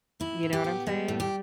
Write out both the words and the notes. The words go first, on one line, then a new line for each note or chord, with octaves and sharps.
You know what I'm saying?
A2 E4
A2
G4
B3
G3
A2
G4